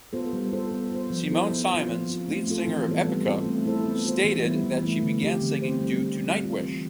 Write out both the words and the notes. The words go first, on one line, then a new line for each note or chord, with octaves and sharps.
Simone Simons, lead singer of Epica, stated that she began singing due to Nightwish.
B3 F4 A4 C5
G3
B3 F4 A4 C5
B3
F4 C5
F3
B3 E4 A4 C5
B3
C5
F4
F3
C4 F4
A3
C4 F4 A4
E3
G3 B3 F4 A4
G3
C4 F4 A4 C5
A3
E4 A4 C5
B3
F4 C5
E3
G3 B3 E4
E3
A3 E4
D3
F3 C4 G4
D3
A3 C4 G4 C5
G3
D4 G4
G3
C4 F4
E3